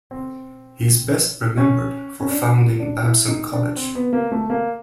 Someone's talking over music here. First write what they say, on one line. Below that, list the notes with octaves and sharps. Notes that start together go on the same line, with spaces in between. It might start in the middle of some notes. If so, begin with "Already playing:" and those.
He is best remembered for founding Babson College.
C4
C#4
C#4
D4
D4
E4
D#4
D4
C4
B3
A#3
A3
A#3